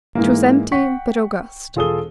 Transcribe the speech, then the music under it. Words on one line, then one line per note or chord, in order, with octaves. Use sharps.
It was empty but august.
G#2 E3 A#3
F#5 G5 C#6 B6
E1 F4 G#4 A4 D#6 G7